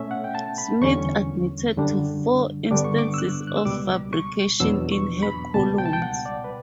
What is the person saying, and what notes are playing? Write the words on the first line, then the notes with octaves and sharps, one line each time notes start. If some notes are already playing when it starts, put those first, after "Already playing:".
Smith admitted to four instances of fabrications in her columns.
Already playing: B2 A3 C#4 E5
F#5
G5
A5
B5
E2 D3 G3 C#4 C#6
F#2 D3 G3 D4
G2 D3 G3 B3 D4 D6
C#6
D6
E6
F#6
F#6
E6
C#2 B2 G3 D6
C#6
E2 B2 F#3 B3 D4 E6
C#6
B5
C#2 B2 G3 A5
G5
A5
G5
F#5
D5
B4